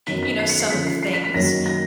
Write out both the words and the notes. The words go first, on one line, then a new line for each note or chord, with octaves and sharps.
you know, some of the things
F#2 D#3 F#3 B3 D#4 B6
B6
C7
C#7
C7
D3 F3 A3 C#4 B6
C7
C7
B6
B6
F#2 D#3 F#3 A#3 A#6
A#6